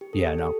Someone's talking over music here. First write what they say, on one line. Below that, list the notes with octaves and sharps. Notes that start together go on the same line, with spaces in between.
Yeah, no.
G4
A4
G4
A4